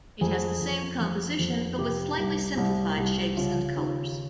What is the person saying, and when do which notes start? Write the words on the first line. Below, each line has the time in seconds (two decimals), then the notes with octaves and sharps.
It has the same composition but with slightly simplified shapes and colors.
0.21 F2 G#4
0.61 F2
1.01 F3
1.39 F2
1.79 C3 G4
2.18 C2
2.57 C2
2.97 C2
3.37 C#3 F4
3.76 D#2